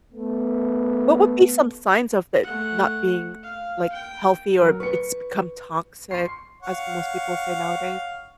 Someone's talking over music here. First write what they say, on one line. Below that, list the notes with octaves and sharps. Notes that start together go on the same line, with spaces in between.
What would be some signs of it not being, like, healthy or it's become toxic, as most people say nowadays?
A3 B3
A3 F#5
F5
G5
F#3 A#4
B4 C#6 C#7
C6 C#6 C7
C#5 F5 F#5